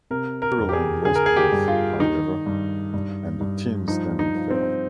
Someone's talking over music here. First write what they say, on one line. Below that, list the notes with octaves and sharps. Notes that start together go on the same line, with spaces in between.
Maryland lost both, however, and the team's standing fell.
C3 A#4
A#4
F2
G4
G#4
D3 G#4
A#4
G#4
G4
G2
F4
D#3 D#4
G2
G2
G2
F3 D#4
D#4
F3
C4